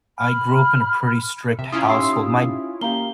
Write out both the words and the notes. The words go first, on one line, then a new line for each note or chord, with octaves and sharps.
I grew up in a pretty strict household, my
B5 F6
C3 E5
C#4 E4 F4 D#6
D#4 G4 E5 C6 E6 C7
D#6
A#3 G4 F5 A#5 G7